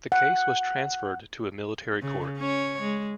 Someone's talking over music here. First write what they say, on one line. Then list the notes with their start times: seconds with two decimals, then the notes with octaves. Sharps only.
The case was transferred to a military court.
0.12 F#5
2.02 C#3
2.38 C#4 C#5
2.82 G#3